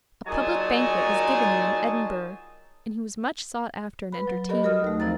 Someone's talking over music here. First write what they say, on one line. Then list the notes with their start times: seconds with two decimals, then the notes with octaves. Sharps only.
A public banquet was given him in Edinburgh, and he was much sought after and entertained.
0.27 A#2 F#3 D#4 G#4 G#5 A5
4.12 B4 B5
4.27 F#3
4.49 G4 A4 A#4 D5 D#5 B5
4.63 F#4 A4 A#4 D#5 D#6 F6
4.82 D#2 A3
5.00 F3 C4 E4 C5 A#5 A6